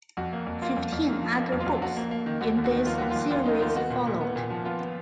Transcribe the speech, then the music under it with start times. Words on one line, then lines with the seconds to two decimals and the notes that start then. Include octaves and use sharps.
Fifteen other books in this series followed.
0.17 F2 F#4
0.33 A#3
0.47 F2
0.62 A#3 F4
0.77 F2
0.92 F2
1.07 A#3
1.22 F3
1.37 A#3
1.52 F2
1.60 F4
1.66 F2 F#4
1.81 F2 F#4
1.97 A#3
2.11 A#3
2.26 D#3
2.41 D#2 F#4
2.57 D#2
2.64 F#4
2.72 D#3
2.86 A#3 F4
2.98 D#2 F#4
3.11 F4
3.16 D#2
3.30 D#2 F4
3.46 D#3 D#4
3.60 D#3 F4
3.76 B3 F#4
3.90 A#2
4.06 A#2
4.21 B3
4.36 A#2
4.50 F3
4.65 B3 F4
4.80 B3